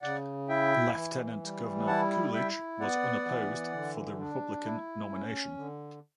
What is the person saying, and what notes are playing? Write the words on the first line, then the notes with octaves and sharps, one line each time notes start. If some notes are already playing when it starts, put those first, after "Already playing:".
Lieutenant Governor Coolidge was unopposed for the Republican nomination.
C#3 D5 F#5
E4 E5 G5
E3
G3
E4 F#5 A5
E4 E5 G5
B3 D5 F#5
E3
D3
D4
E4
C#4
D3